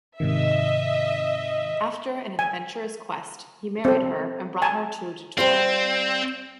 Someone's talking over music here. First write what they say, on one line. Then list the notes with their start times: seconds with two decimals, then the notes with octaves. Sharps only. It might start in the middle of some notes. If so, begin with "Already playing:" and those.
After an adventurous quest, he married her and brought her to Chittor.
0.20 G#2 C3 D#3 D#5 E5
2.39 G#5
3.85 C4 A4
4.62 G#5 A5
5.38 G3 C4 C5 F5